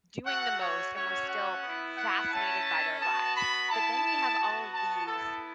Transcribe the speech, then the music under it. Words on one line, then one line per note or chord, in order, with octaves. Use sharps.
doing the most and we're still fascinated by their lives, but then we have all of these
A3 F#4 F#5
C#5
A3 C#4 F#4 C#5
F#5
B3 E4
F#5
A3 C#4 E4 A5
B3 F#4 A5
B5
B3 E4 A5
B3 F#4
A5
B3 E4 A4